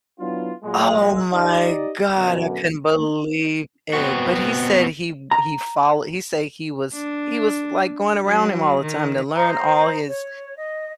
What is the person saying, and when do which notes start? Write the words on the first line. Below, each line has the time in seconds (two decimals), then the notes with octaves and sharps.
Oh my god I couldn't believe it. But he said he w he follow he say he was he was, like, going around him all the time to learn all his
0.20 F#3 B3 D4 E4 F4
0.65 A#2 F#3 G#3
1.32 D#4 G4 D5 D#5
2.16 F#2 B2 D3
3.93 B3 C4 F#4
5.31 A#5
6.93 D4
8.25 F#3
8.82 D#3
9.36 C5 D#5 A#5
10.07 C#5
10.56 D#5